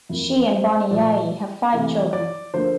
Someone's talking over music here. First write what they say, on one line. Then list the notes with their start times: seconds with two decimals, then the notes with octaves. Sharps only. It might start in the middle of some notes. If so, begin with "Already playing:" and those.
She and Boni Yayi have five children.
0.09 F2 E3 A#3 E4
0.50 C5
0.91 A#2 F3 A3 D5
1.73 C3 E3 A3
2.13 D5
2.54 D3 F3 A#3 C5